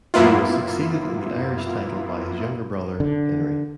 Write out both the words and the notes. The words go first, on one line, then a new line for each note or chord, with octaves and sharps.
He was succeeded in the Irish title by his younger brother, Henry.
F#2 A#3 B3 E4 F4
D3